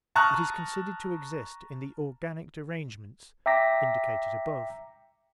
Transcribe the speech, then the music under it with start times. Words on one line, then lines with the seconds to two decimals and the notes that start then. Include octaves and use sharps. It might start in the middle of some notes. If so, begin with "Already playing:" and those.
It is considered to exist in the organic derangements indicated above.
0.15 A5 A#5 C#6 D#6 F6 F#6
3.46 E5 G5 A#5 D6 A#6 B6